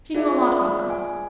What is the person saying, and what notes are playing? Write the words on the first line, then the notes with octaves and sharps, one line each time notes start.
She knew a lot about girls.
F4 G#4 D5 E5
G#5